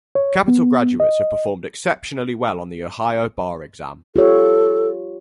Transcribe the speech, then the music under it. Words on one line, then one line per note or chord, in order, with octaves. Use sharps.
Capital graduates have performed exceptionally well on the Ohio bar exam.
C#5
B3
D#5
F4 G4 A4 C#5